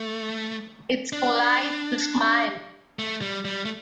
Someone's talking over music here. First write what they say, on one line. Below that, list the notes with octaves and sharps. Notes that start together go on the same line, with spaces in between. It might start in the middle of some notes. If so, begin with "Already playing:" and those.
It's polite to smile.
Already playing: A3
D4
A3
G3
G3
A3